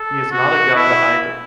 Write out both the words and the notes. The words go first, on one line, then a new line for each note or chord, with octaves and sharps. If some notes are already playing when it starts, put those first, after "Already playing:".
He is not a God either.
Already playing: A4
F#4
E4